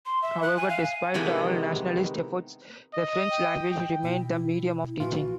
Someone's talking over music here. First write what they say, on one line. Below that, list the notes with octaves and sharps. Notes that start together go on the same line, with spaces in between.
However, despite all nationalist efforts, the French language remained the medium of teaching.
C6
E5
F#6
G#5
F5
G#5
C3 D#3 E3 G#3 B3
D#5
G5
B2 E4
A#1 A#2 E3 F4 F#4